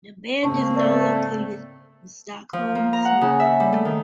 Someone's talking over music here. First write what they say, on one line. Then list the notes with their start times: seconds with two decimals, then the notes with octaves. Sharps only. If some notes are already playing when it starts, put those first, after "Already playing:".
The band is now located in Stockholm, Sweden.
0.43 G#2 C#3 A#3 C4 A5 C#6
0.76 A3 D5
2.53 F3
2.75 A#3
2.93 A#5
3.05 F#5
3.21 C#3
3.40 E5
3.60 G3
3.73 A3
3.85 D#3